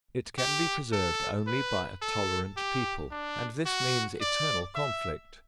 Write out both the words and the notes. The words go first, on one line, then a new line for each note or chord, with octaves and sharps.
It can be preserved only by a tolerant people, and this means eternal conflict.
G4
A4
B4
A4
G4
D4
F#4
D5
E5